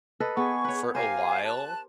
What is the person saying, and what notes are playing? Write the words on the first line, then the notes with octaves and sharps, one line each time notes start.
for a while,
A4 B4 D#5
B3 G#4 C#6
B4 C#5
G4 A#4 C5 F5 G#5
A5 F#6